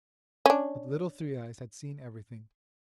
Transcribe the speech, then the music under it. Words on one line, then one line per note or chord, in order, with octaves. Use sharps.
But Little Three-eyes had seen everything.
C#4 D4